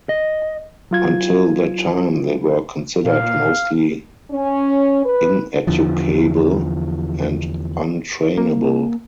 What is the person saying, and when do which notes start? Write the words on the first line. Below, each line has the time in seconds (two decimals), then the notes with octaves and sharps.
Until that time they were considered mostly ineducable and un-trainable.
0.09 D#5
0.91 F#3 F4 G#6
3.05 A#2 F5
4.31 C#4
5.05 B4
5.67 E2 D3 E3 F3
8.38 A#3